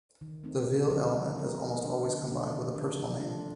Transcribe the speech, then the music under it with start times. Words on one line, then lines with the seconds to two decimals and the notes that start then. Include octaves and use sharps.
The "-ville" element is almost always combined with a personal name.
0.21 D#3
0.44 A3 C4 D#4
0.67 D3
0.89 F3 C4 D#4 A4
1.13 A3
1.35 D#4 A#4
1.59 A3
1.82 D4 G4 A#4
2.04 D3
2.27 A3 D4
2.50 D#3
2.74 A3 D4
2.96 F3
3.20 A3 D4 F4